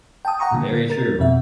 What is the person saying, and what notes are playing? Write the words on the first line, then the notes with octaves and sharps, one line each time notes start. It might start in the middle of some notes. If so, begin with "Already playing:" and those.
Very true,
G5 A5 D#6
F#5 G5 A#5 C#6 D#6
A#2 D3
A#4 A6
F2 B2 C4 E5